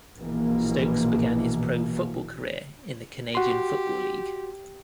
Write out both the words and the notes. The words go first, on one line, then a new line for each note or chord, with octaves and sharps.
Stokes began his pro football career in the Canadian Football League.
A#1 B2 E3 A#3
F#4 G4 C6